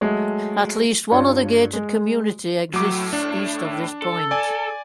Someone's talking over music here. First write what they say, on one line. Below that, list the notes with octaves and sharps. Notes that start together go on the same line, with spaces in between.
At least one other gated community exists east of this point.
F#3 G#3 A3
G2 F4 C#5 D5
G#3
A2 F#3 D6
D4
A4
D5 G#5